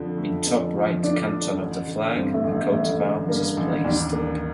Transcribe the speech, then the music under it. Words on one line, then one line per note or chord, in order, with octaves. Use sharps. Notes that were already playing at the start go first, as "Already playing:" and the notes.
In top right canton of the flag the Coat of Arms is placed.
Already playing: F2 D3 F3
A3
F2
F3
D3 D4
A3
A1
D3
G2 C4
A3
A1
A3
A1 A3
D3
G2 A#3
A1
D#2 D4
A#3